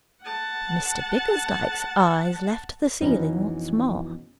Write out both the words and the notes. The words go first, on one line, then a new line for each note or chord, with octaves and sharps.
Mr Bickersdyke's eyes left the ceiling once more.
F#5 A5
F2 B2 E3 C#4 D#4